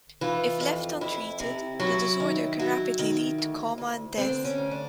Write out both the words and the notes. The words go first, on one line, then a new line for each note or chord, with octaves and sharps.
If left untreated, the disorder can rapidly lead to coma and death.
E3 F4
F2
F2 E4
C3
F#3 E4
D#3
F#3 E4
D#3
D2
D2
D3 C4
C#4
D2
D4